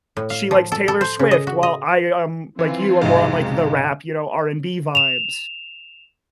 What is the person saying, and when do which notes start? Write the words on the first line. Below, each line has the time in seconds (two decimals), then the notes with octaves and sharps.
she likes Taylor Swift while I am, like you, I'm more on, like, the rap, you know, R&B vibes
0.17 A2
0.30 F5
0.51 F3
0.72 A4
0.88 A4
1.01 C5
1.19 C#3
1.31 D#5
1.47 F#4
1.63 D#5
2.59 E3 C4 F4
3.02 B1 F2 G#2 C3 D#5 F5
4.95 E7 F7